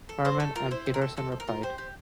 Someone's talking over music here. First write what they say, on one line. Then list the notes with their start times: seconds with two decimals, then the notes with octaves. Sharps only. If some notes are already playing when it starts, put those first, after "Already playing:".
Herman and Peterson replied.
0.09 A4
0.25 C4 C5
0.40 A3 A4
0.55 F4 A#4
0.71 E4 C5
0.86 C4
0.94 A#4
1.01 A4
1.17 C4 A4
1.32 A4
1.40 A#4
1.48 F4
1.63 G4 C5
1.78 G4